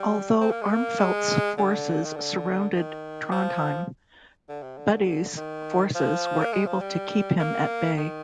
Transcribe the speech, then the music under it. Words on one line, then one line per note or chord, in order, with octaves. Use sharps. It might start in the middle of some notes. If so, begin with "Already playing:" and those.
Although Armfeldt's forces surrounded Trondheim, Budde's forces were able to keep him at bay.
Already playing: G3
C4
A#3
G#3
A#3
G#3
D3
D#3
D3
D#3
F3
D3
C3
D3
D#3
F3
A#3
G#3
F3
G3
A#3
D#3